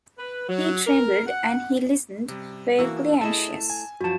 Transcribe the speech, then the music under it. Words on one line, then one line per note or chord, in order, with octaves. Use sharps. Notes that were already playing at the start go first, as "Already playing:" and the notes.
She trembled, and he listened, vaguely anxious.
B4
F#3
A#4
F#5
C3 G3
E3 A#3 F#4 E6
A3 E4 G#4 D#5 E5 A5
G#5
F#2 F3 F#4 A5